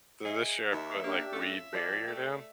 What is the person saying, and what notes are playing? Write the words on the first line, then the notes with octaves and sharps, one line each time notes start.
So this year I put, like, weed barrier down
G#4 D#5 E5
D#2 D#4 D#5 E5
A#3 D4 G4
A3 C#4 F4
F3 G#4 D5 G5
A3